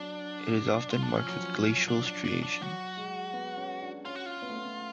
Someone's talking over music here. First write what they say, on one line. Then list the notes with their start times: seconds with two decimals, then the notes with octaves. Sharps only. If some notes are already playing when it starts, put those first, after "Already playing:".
It is often marked with glacial striations.
Already playing: F#3 D4
0.90 F4
1.03 D4
1.16 F3 C#4
1.28 F#3
1.39 F3
1.88 D4
2.07 D4
2.24 D4
2.43 D4
2.61 F#3 F#4
2.97 G#3
3.33 B3
3.57 C#4
3.81 D4
4.05 C#4 F4
4.15 F#4
4.26 F4
4.42 B3
4.49 A3
4.56 B3